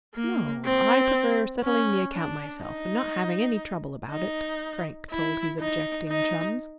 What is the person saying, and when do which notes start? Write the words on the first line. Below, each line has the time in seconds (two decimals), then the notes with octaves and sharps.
"No, I prefer settling the account myself, and not having any trouble about it," Frank told his objecting chums.
0.14 A#3
0.64 C4
1.63 C#4
2.13 D4
2.62 D#4
4.11 D#4
5.10 E4
5.60 D#4
6.09 D#4